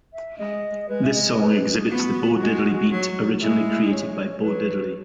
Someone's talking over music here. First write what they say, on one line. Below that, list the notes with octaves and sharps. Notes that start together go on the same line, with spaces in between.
This song exhibits the Bo-Diddley beat originally created by Bo Diddley.
E5
G#3 D#5
G#3 B4
E5
D#5
B4
G#4
B3 F#4
G#3
F#3
G#3 E4
C#5
F#3 B4